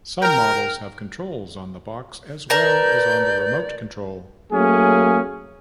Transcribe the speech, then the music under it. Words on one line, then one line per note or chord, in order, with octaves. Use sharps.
Some models have controls on the box, as well as on the remote control.
A#4 G5 A#5
A#4 B4 D5 A5 A#5 G6
F#3 A3 A#3 C#4 G#4